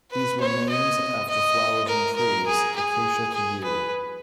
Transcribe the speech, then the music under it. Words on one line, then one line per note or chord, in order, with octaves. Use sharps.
These were names after flowers and trees, Acacia to Yew.
B4
C#5
D#5
D#5
A#4
A#4
G#4
G#4
G#4
B4